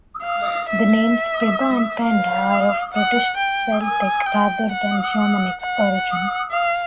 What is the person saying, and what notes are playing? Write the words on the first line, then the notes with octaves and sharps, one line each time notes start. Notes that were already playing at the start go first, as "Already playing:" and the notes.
The names Pybba and Penda are of British Celtic, rather than Germanic, origin.
F5
E5
F5
F#5
G5
G#5
G5
F#5
F#5
F5